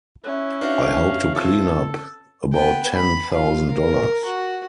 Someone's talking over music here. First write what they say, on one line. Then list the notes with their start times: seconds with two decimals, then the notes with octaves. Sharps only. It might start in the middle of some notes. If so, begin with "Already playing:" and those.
I hope to clean up about ten thousand dollars.
0.24 C#4 E4 E5 F#6
0.61 D4 D#4 F#4 B4 E5 F5
1.35 C4 F4 A4 C#5
2.53 B3 G5
2.96 B5
3.32 F4 F5
3.71 A#4
4.25 F#4